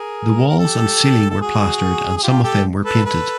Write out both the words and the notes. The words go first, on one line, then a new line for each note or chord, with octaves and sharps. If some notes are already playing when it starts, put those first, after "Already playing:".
The walls and ceiling were plastered and some of them were painted.
Already playing: G#4 A#4
A#4
G4 A4
A4
F#4 G#4
G#4
F4 G4
G4 A4
A4 B4
A4 B4